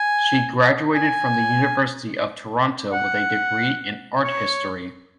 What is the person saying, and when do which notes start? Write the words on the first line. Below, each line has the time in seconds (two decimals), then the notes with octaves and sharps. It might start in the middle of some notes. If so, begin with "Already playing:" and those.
She graduated from the University of Toronto with a degree in art history.
Already playing: G#5
0.95 G#5
2.92 F#5
4.24 C#5